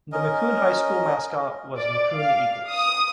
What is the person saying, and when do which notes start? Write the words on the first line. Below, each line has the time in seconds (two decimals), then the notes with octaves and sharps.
The McCune High School mascot was McCune Eagles.
0.12 C#4 A#4 D#5
1.77 D5
2.12 F5
2.69 D#6